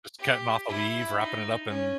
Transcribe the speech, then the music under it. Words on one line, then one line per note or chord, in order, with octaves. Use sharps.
Just cutting off a leaf, wrapping it up in
G4
E4
D#4
C#4